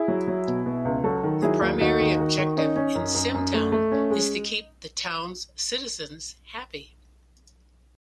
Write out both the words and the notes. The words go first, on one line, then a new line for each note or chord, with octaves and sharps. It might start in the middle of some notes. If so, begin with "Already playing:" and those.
The primary objective in "SimTown" is to keep the town's citizens happy.
Already playing: E4 G#4
F#3
F#3
B2
B2
C#2
F#3 F#4 A4
D#3
F#3 E4 G#4
D#2
D#2 D#4 F#4
D#3
D#3
D#3
C#4 D#4
C#4
F#2
F#2
F#2
A3
A3
C#4
G#3